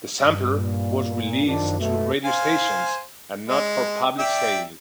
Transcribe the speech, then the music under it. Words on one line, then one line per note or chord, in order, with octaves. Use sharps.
The sampler was released to radio stations and not for public sale.
G2
A#2
F#2 D#3 F3 D4
B2 A3
C5 F5 G#5
G#3
D5 E5 G5